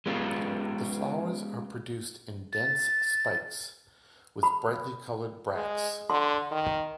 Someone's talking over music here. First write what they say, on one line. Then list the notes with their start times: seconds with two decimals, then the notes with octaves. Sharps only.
The flowers are produced in dense spikes, with brightly coloured bracts.
0.06 G#3 B3 C#4 F4 G4
2.53 A6
4.43 B5
5.55 G#3
6.10 D3 C6
6.51 D#3